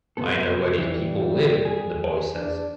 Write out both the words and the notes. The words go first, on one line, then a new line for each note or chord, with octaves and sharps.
I know where these people live”, the boy says.
C3 B3 A4
E3 G3
G#4
D4